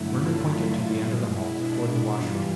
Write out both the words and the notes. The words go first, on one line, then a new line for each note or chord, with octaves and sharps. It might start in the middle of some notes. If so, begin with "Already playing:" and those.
Werner pointed to the end of the hall, toward the washroom.
Already playing: G2 D3 F#3 A3 E4
F4
B2 G#3
E4
D4
G2 E3 G3 F4